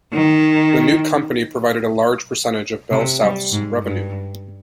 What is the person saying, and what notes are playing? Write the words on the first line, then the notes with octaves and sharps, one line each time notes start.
The new company provided a large percentage of BellSouth's revenue.
D#3
C3
G3
G#2
G2